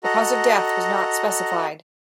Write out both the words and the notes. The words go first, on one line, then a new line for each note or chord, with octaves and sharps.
The cause of death was not specified.
F#4 A4 D#5 A#5